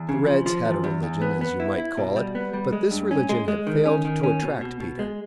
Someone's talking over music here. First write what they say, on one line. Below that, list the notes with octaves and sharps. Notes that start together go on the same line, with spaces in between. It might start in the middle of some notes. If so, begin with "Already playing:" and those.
The Reds had a religion, as you might call it; but this religion had failed to attract Peter.
Already playing: E2
C#3
F3
F3
E2
E2
E2
B3
B3
E4
E4
B2
G3
B3
G3
G#3
G2
C#4
G#3
G#3
D#3
C#4
D#3
C#4
B2
B2
B2
G#3